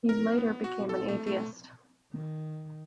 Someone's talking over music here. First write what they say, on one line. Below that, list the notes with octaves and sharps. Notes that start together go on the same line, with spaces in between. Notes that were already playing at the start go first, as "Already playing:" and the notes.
He later became an atheist.
A#4
B3
F#4
A4
A3
A3
D#3